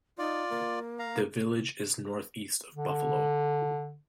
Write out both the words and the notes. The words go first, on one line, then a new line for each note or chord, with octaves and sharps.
The village is northeast of Buffalo.
D#4 F4 D5
A#3
F5 A#5
D3